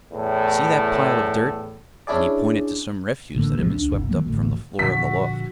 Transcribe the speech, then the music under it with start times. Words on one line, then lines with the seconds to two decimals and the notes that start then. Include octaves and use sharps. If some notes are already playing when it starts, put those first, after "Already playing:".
"See that pile of dirt?" and he pointed to some refuse that had been swept up from the floor of the loft.
0.11 E2 A2
2.07 C#4 D4 E4 G#4 D5
3.34 A1 D3 A#3
3.57 A1 C3 F3 G#3
3.72 C#2 D4
3.91 G1 C2
4.09 D#3 F#3 A#3
4.26 D1 A1 D2
4.79 A#2 D3 F3 F#4 B6